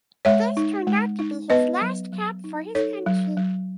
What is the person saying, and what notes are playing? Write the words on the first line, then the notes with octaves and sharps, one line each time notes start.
This turned out to be his last cap for his country.
G#3 C#5 E5
D#4
G#3
D#4
B3 B4 D#5
F#3
F#3
D#4
D#4 A4 C#5
F#3
F#3